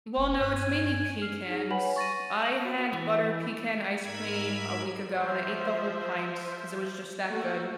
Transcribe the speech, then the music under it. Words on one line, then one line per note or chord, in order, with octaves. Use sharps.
Well, no, it's mainly pecans. I had butter pecan ice cream a week ago and I ate the whole pint 'cause it was just that good.
F#1
G2 B4
G#5
F6 C7
D#4 G#4
B4 C#5 F#5 G#5 B5 F#7
C#6 A6 A#6 D#7
F6 F#7
F#4
E3
G#2 A#4 E5 B5 G#6
F3 C5 E5
A3 A#3 F#4 A4